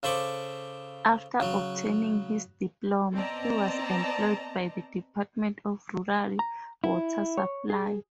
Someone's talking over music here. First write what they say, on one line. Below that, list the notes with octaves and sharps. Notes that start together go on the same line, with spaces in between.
After obtaining his diploma he was employed by the Department of Rural Water Supply.
C#3 A4 C5 B5 C#6 D6
C#3 F#3
B3 C4 D5 D#5 A5 A#5
A#5
E4
C#5
G#4